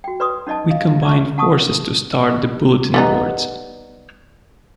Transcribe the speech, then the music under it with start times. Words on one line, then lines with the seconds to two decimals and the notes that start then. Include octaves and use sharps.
We combined forces to start the Bulletin boards.
0.04 F#4 G5
0.20 B4 D5 C6 D#6
0.47 C#4 D#4 D5 D#5 A5
0.70 D#5 F5
1.02 D5 E5 A5 C#6
1.38 F#5 A5 C#6 D#6
2.94 G3 B3 D#4